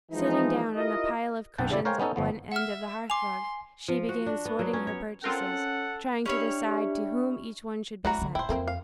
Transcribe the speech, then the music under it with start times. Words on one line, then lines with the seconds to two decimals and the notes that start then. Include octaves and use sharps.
Sitting down on a pile of cushions at one end of the hearth-rug, she began sorting her purchases, trying to decide to whom each one should be sent.
0.12 E3 F3 G#3 D#4
0.75 E4 F4 G4 A#4 D#5
1.58 B1 F#2 F#5 G5 A5
1.70 C#3 G3 E4 D5
1.85 A#4 C5 C#5 F5 G5 G#5
2.00 B3 C#4 D#4 A4
2.16 G1 F3 B3
2.52 E5 F#5 F6
3.10 G#5 C6 D6 F7
3.88 F3
4.09 F#4
4.26 D4
4.45 B3
4.59 F#3
4.73 C#4
4.87 C#5
5.24 C4 C#4 F4 A4 A#4 F#5
6.26 C#4 D4 E4 G4 C#5
8.05 E3 A3 F#4 D5 F#5 A#5
8.18 D3 A3
8.35 D#1 E4 C5 G5
8.49 F2 A3 A#3 C4 F4
8.68 F5